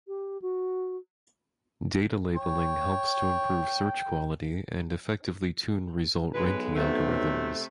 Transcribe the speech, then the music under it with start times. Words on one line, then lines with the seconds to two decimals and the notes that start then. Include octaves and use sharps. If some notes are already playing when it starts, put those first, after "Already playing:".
Data labeling helps to improve search quality and effectively tune result ranking algorithms.
0.08 G4
0.42 F#4
2.36 C#5 G5
6.33 B1 G#3 B4
6.75 C3 A3